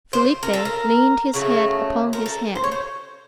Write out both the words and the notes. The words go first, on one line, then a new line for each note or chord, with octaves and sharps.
Felipe leaned his head upon his hand.
C5
A#4
A4
A#4
C#3 F#3 A3
A#4
A4
C5
C#5
C5